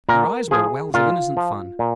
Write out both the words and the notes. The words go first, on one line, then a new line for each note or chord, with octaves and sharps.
Her eyes were wells of innocent fun.
A#2 A#4
F3 G#4
A#2 F4
F3
A#2